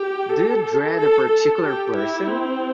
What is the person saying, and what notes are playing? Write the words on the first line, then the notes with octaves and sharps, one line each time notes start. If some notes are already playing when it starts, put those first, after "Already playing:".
Do you dread a particular person?
Already playing: G4
A4
A4
A4
G4
E4
C4